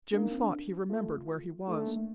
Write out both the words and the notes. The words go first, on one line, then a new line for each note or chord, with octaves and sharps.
Jim thought he remembered where he was.
A#3 D4
D#4
C4
D4
A3 F4
A3 D#4
D4
A#3
A3